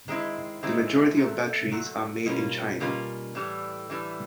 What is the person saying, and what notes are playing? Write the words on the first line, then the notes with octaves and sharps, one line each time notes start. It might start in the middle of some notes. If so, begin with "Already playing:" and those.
The majority of batteries are made in China.
D#3 G#3 C4 E4
D#3 G#3 C4 E4
A#2 F#3 A3
A#2 F#3 A3
B2 G3 A#3 C#4 F4
B2 G3 A#3 C#4 F4
A2 E3 G3
A2 E3 G3